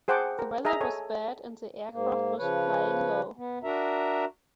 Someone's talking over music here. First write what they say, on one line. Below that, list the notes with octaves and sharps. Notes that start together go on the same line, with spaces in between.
The weather was bad and the aircraft was flying low.
G#4 C5 F#5 G5 A5 D6
A#4
G#4 D#5 E5 A#5
A4 C#5 G#5
G#2 A#3
C#3 F3 B4 C#5
B3
D4 F#4 A#4 E5 A#5